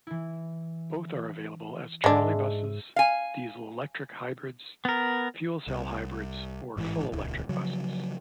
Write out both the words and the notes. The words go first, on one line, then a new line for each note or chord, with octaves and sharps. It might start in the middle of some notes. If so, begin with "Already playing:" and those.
Both are available as trolley buses, diesel-electric hybrids, fuel-cell hybrids or full-electric buses.
E3 E4
G#2 G#3 D4 C#5 E5
F5 G#5
B3 A#4
C2
A1 G#2 D#3 E3
D#1 C#2
C#3 F3 F#3